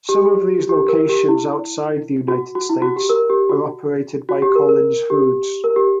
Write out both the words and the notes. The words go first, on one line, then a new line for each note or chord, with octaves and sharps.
Some of these locations outside the United States are operated by Collins Foods.
G4
G4
A#4
G4
E4
F#4
F#4
E4
F#4
G4
A#4
G4
F#4
F#4
G4
A#4
A#4
G4
A#4
G4